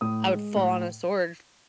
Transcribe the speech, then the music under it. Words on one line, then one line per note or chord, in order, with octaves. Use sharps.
I would fall on a sword f
A2 D#6
G#3
A2